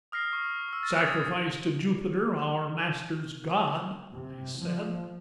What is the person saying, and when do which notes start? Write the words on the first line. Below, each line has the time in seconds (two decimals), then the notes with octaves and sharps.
'Sacrifice to Jupiter, our master's god!' they said.
0.12 D#6 F6 A#6 C7
0.33 C#6
0.68 C#6 E6
0.83 D#6 F6 A6
0.97 D#6 G#6 A6
4.13 C3
4.58 F3